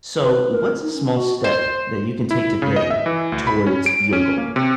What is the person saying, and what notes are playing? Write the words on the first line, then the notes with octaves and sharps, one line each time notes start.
So, what's a small step that you can take today towards your goal?
B4
A#4
D#4
C#4
F#4
C5
E4
C#3
D#5
E5
E3
D2
B5
C#4
D7
C#4
A#3
C3